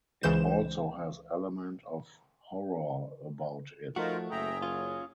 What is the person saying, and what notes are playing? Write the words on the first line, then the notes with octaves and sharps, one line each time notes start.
It also has element of horror about it.
C#2 C#3 E3 C5 G6 E7
F3 A3 D#4 F4 F#4 A#4
F#1 G#4 E5 G5 A#5
F#3 C#4 F4